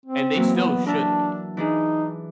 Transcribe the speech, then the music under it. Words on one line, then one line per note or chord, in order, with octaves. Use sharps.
and they still should be
C4
E3 F#3 A#3
B3
D4 A#4 E5 A5
E3 D4 D#4 G#4